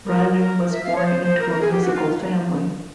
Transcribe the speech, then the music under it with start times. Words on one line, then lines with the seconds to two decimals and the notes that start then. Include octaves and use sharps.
Rilling was born into a musical family.
0.06 A#4
0.40 A#4
0.72 E5
0.84 F5
0.95 C#5
1.05 C5
1.22 C5
1.39 A#4
1.50 A#4
1.61 G#4
1.71 G4
1.82 F#4
1.94 F4